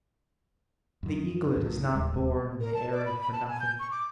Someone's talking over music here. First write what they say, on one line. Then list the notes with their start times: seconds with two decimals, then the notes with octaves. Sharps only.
The eaglet is not born in the eyrie for nothing.
1.03 F#2 D#3
1.56 C2 F#2 A2 D#3
1.94 D1 D#2 G3 G#3
2.60 A#4
2.74 A5
2.92 D5
3.06 B5
3.20 B5
3.33 A5
3.48 G#5
3.60 G6
3.79 C#6
3.91 D6